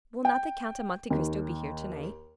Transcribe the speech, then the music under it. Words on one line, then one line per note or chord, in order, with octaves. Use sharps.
"Will not the Count of Monte Cristo be here to-night?"
G5
D#2